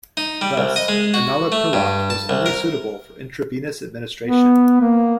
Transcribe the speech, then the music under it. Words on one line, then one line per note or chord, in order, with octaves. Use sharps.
Thus, enalaprilat was only suitable for intravenous administration.
D#4
G3
C2
D#5
G#3
F#4
A3
G2
A5
C2
A#4
B3
A#3